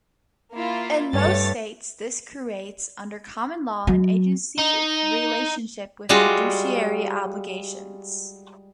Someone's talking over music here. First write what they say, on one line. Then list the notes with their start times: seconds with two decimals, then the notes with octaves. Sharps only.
In most states this creates, under common law, an agency relationship with fiduciary obligations.
0.54 A#3 E4 F4
1.13 G2 A3 C#5 A6
3.87 F#3
4.58 D#4
6.09 G3 G#3 F4 F#4